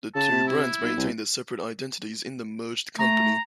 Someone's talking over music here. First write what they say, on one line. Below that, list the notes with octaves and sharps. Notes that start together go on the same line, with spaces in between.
The two brands maintain their separate identities in the merged company.
C#3 A5
C3
E4
B1
C2
A3 A#5